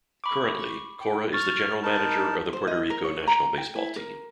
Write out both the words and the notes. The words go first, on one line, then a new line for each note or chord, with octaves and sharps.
Currently, Cora is the General Manager of the Puerto Rico national baseball team.
B5 C#6 D6
G5
C#6 F6 A6
D#4 A#4 A5 B5
C5
D#5
A#4
C#5
A#5
G5
E4
A#4